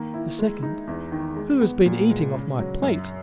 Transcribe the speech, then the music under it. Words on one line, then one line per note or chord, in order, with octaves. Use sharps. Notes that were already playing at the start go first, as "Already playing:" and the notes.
The second, "Who has been eating off my plate?"
Already playing: D#3 A#3
E4
G#3
D#4
E2
D#3
G#3
B3
A#2
G#3
C#3
F#3
F#2